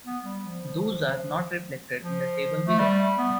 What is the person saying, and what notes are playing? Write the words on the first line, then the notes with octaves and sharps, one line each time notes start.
Those are not reflected in the table below.
B3
G3
F3
F3
A3
G3
B3